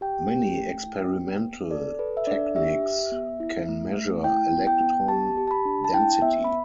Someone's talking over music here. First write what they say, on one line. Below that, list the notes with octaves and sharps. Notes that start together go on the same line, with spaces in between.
Many experimental techniques can measure electron density.
G4 G5
G4
A3
E4
B3
B3
A4 D5
A4 B4
E5
D4 D5
G4 E5
G4
B3
E4
A3
A3
E4 G5
B3
G5
B3
G4 A5
G4
A5
B5
D4
A5
E4 G5
B3 E5
B5